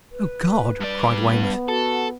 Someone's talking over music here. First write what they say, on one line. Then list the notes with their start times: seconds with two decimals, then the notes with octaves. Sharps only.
"Oh, God!" cried Weymouth.
0.11 B4
0.80 G2 D5
1.23 B3
1.68 F#4 A4